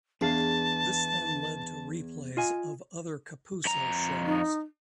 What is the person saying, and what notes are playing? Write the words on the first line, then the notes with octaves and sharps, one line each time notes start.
This then led to replays of other Kapuso shows.
E2 D4 G#4 F5 A5
F4 D#5 G#5
F2 A#5
D#4